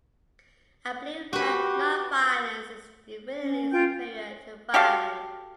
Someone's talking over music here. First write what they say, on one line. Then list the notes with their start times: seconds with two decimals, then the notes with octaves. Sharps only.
I believe that non-violence is infinitely superior to violence.
1.33 F#4 G4 B4
3.43 C#4
3.72 F4 G5 G6
4.74 F#4 G4 A4 F5